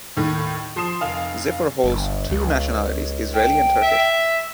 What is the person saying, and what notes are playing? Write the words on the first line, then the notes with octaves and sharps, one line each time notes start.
Ziffer holds two nationalities: Israeli and Turkish.
D#2 A2 D#3 A3
F3 C6 D#6 C7 E7
F1 F5 G#5
G1
C#2
G5
E5